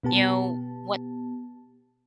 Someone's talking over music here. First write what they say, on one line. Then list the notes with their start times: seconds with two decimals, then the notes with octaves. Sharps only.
you know, what
0.03 B2 B3 G4 A5